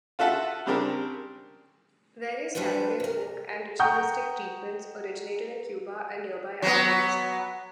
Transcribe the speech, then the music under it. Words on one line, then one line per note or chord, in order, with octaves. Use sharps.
Various Caribbean folk and ritualistic treatments originated in Cuba and nearby islands.
F4 F#4 A4 E5 F#5 A5
C#3 G3 C4 D4 G4 A#4
G3 D4 F#4 B4 C5
C3 A#4
F#5 G5 A#5 C#6 D#6 G6
F#3 B3